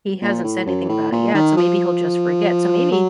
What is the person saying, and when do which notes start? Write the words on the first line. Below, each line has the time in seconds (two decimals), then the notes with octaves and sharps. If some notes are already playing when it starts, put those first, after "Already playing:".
he hasn't said anything about it yet, so maybe he'll just forget." So maybe,
0.22 A#2
0.44 A2
0.67 F#2
0.89 A2
1.12 A#2
1.34 D#3
1.57 F3
2.92 F#3